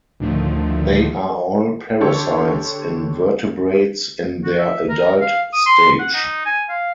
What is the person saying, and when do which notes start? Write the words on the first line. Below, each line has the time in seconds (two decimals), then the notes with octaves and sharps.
They are all parasites in vertebrates in their adult stage.
0.20 D2 A2 D3 D#3 F3 A3
2.00 D3 D4 G4 A4 C#5
4.44 F#4
4.58 E5
4.89 A#4
5.21 F5
5.53 D#6
5.66 C6
5.99 F#5
6.14 D#4
6.46 G#5
6.69 F5